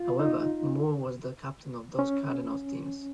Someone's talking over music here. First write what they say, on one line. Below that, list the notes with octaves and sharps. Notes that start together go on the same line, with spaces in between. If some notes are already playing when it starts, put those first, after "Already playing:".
However, Moore was the captain of those Cardinals teams.
Already playing: F4
D#4
C#4